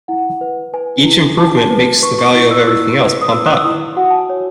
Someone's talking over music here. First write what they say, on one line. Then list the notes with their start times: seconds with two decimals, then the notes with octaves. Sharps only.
Each improvement makes the value of everything else pump up.
0.08 E4 F#5
0.41 B4
0.74 B4 G#5
1.06 E4
1.38 E4 A5
1.47 G#5
1.57 A5
1.71 B4
2.02 B4 C#6
2.19 C#6
2.35 E4 C#6
2.51 E6
2.59 F#6
2.67 E4 E6
3.00 B4
3.21 D#6
3.32 B4 E6
3.46 F#6
3.55 E6
3.64 E4 D#6
3.97 F#4 F#5
4.10 A5
4.19 G#5
4.29 C#5